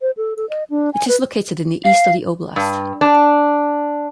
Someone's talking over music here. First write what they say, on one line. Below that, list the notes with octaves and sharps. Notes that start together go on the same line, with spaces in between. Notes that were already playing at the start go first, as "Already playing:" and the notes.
It is located in the east of the oblast.
C5
A4
A4
D#5
D4
G#5
B4
F5
G2
D4